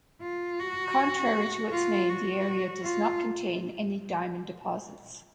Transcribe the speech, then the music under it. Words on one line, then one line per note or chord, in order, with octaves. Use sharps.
Contrary to its name, the area does not contain any diamond deposits.
F4
F#4
F4
F#4
F4